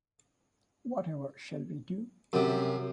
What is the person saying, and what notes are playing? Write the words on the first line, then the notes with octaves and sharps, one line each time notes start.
Whatever shall we do?
F#2 C3